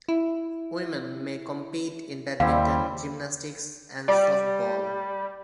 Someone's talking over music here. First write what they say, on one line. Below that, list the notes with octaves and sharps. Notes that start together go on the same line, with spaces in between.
Women may compete in badminton, gymnastics, and softball.
E4
D#2 G3 C4 E4 F5
G3 D5